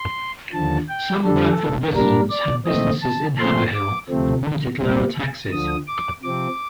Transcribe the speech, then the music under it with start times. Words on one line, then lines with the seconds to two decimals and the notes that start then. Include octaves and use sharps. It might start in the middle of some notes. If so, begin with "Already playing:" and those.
Some Bradford residents had businesses in Haverhill and wanted lower taxes.
Already playing: C6
0.53 D#2 D3 F3 A5
0.89 G5
1.24 F2 D3 G3 D4 A4
1.95 A#2 G3 D4 A#4
2.30 D5
2.66 A#2 A3 C4 D#5
3.02 A5
3.38 A#2 F3 A3 C4 C6
3.73 D6
4.09 D2 C3 F3 A3 C4
4.80 A#2 G3 C4
5.51 D2 D3 F3 D#6
5.87 D6
6.22 C3 F3 C4 D6